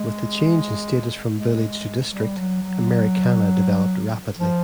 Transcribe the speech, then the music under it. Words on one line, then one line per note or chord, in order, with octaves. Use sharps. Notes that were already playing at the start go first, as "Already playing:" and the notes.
With the change in status from village to district, Americana developed rapidly.
Already playing: G#3
G#3
G3
F#3
F#3
F3